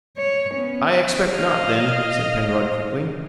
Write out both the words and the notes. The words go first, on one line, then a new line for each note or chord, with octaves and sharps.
"I expect not, then," said Penrod, quickly.
C#5
B3 C#4
D#5 F5